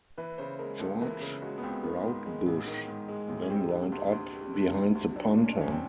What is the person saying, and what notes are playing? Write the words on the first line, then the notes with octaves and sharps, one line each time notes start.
George Roudebush then lined up behind the punter.
E3 B4
C#3 C5
G#3 A#4
C#2 A4
E3 A#4
C#3
G#3 F#4
B3
C#2 C4
D#3 B3
G#2
G#3
A1
D#3
G#2
G#3
A1
C#4
G3 C4
D3
D2
D2
G3
D3
D2
D2
F#3 D4
A#2
C#4
D4
C2 C#4
C4